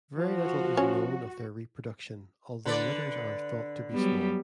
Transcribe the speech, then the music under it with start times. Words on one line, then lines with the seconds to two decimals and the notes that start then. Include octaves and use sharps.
Very little is known of their reproduction, although litters are thought to be small.
0.17 F3 F#4
0.77 C#4
2.65 D3 B4 D5
3.91 F#3 G3 B3